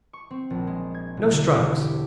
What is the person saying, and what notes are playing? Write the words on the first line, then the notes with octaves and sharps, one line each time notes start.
No strikes!
C#6
C4
A#1
G#3
G#6
E1
D3
E1
G4